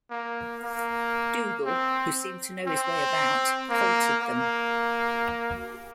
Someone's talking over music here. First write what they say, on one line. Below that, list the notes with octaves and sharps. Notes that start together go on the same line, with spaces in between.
Dougal, who seemed to know his way about, halted them.
A#3
A#3
C4
C4
A#3
A#3